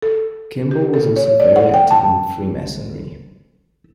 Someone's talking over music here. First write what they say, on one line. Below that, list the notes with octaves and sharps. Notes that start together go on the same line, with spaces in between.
Kimball was also very active in Freemasonry.
A4
G4
A4
C#5
D5
F#5
G5
A5